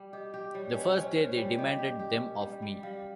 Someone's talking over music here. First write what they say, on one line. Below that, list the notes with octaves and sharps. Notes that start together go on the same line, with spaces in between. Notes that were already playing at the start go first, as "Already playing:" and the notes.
The first day they demanded them of me.
Already playing: G3
G4 D#5
G4
G3 C#5
C#4 D#5
C#4 C5
C#4 C#5
G3
G4 D#5
G4
G4
C#4
G3
G3
G3 F5